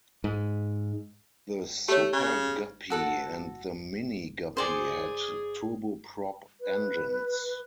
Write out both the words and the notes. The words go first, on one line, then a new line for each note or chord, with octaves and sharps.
The Super Guppy and the Mini Guppy had turboprop engines.
G#2
A3 G4 C#5
C#3
F#4 A4 F#5
G#4 C5 D5 G#5
B4